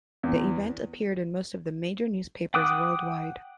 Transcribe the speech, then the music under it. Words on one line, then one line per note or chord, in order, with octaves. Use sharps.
The event appeared in most of the major newspapers worldwide.
E2
F#5 G5 D6 D#6 F#6